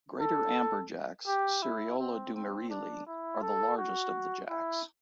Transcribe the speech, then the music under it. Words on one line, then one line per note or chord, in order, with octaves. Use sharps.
Greater amberjacks, "Seriola dumerili", are the largest of the jacks.
A4
G4
E4
C4
C4
D4
E4
A4
F#4
E4